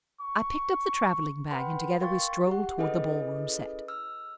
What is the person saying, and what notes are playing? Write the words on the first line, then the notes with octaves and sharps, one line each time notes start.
I picked up the traveling bag and together we strolled toward the ballroom set.
C#6
B4 F#5 G5 B5 C6
A#4 F5 G5 C6 C#6 A6
G4 F#5
C#4 E4 G#4 A4 B4 D#5
E6 F6